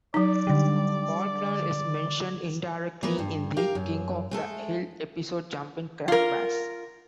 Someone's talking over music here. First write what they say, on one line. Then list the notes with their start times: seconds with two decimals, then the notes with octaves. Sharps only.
Faulkner is mentioned indirectly in the "King of the Hill" episode "Jumpin' Crack Bass".
0.14 F#3 D#4 D5
0.47 D3 G3
3.03 E3 B3 A#4 B4
3.18 G2
3.57 G4 A#4 F5
3.75 F#2
4.31 G#3 A3 A4
6.08 F4 A#4